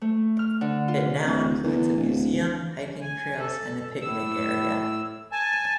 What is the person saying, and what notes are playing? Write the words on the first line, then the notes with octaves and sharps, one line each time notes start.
It now includes a museum, hiking trails, and a picnic area.
A3
F6
D3
F4
D1
E2
D1
G#5
A4
A2 E6
G#5 A5